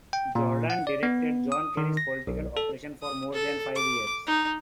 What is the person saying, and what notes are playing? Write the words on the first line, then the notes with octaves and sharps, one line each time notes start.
Jordan directed John Kerry's political operation for more than five years.
G5
A#2
F#5
D5
B3
D#6
D#3
A#6
B1
A4
D#6
A4
D6
D#4